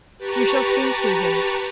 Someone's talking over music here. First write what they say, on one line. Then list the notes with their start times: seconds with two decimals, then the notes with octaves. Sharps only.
You shall soon see him.
0.18 G4 B4 A5 A#5 C#6